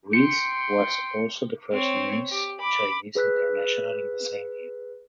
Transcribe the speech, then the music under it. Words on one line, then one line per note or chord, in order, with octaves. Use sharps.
Reis was also the first Miss Chinese International in the same year.
G5 C6 C#7
C4 C#5
G4
B5 D6
G#4 B4 E6 F#6 B6